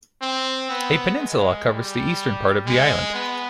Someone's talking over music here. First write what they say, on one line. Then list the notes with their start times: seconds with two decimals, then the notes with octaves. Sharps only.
A peninsula covers the eastern part of the island.
0.22 C4
0.70 B3
1.20 G#3
1.69 G3
2.66 G#3
3.14 B3